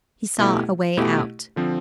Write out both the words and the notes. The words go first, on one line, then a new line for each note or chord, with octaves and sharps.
He saw a way out.
B2 A3 E4 G4
B2 A3 E4 G4
D3 F3 C4